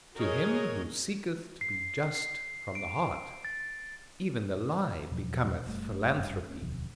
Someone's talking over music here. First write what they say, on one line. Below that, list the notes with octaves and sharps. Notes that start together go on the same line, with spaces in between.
To him who seeketh to be just from the heart, even the lie becometh philanthropy.
F#4 G#4 A#4 C#5 D#5
C7
C7
D7
A6
E2 B2 F3 F#3
F#1 G3 A3
F#1 G2
A3 B3 C#4
E1 D2 B2 F3